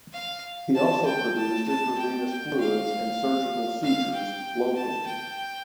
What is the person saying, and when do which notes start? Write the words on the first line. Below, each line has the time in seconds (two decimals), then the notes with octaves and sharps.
He also produced intravenous fluids and surgical sutures locally.
0.13 F5
0.75 A5
1.06 G5
1.38 A5
1.68 A5
1.98 G5
2.29 G5
2.60 F5
3.83 F5
4.14 G5
4.76 A5
5.06 G5